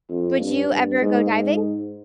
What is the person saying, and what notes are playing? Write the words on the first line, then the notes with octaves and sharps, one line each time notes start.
Would you ever go diving?
F2
G2
G2
G#2
G#2